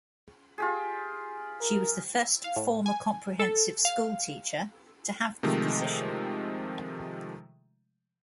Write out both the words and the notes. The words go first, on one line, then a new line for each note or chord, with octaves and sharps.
She was the first former comprehensive school teacher to have the position.
F4 G4 G#4
A#4
F5
A2
G#5
A4
F5
C3 D#3 F3 G#3 A3